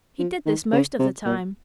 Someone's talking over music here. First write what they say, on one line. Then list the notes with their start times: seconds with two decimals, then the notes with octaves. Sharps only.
He did this most of the time.
0.19 F3
0.46 D#3
0.73 C#3
0.99 C3
1.26 A#2